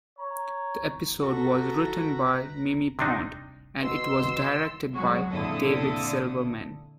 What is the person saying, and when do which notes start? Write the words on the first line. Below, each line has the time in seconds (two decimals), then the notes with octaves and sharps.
The episode was written by Mimi Pond, and it was directed by David Silverman.
0.18 C#5 A#5
1.22 F#4 A4 B4 A#5
2.99 C3 D4 D#4
3.81 B2 C6 E6
4.93 F#3 G#3 F#4
5.31 F2 A#2 D3 E4 A4 D#6